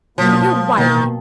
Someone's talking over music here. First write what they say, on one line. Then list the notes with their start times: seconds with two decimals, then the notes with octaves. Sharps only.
But you're wiry.
0.17 B2 F3 F#3 A#3
0.77 B2 D#3 A#3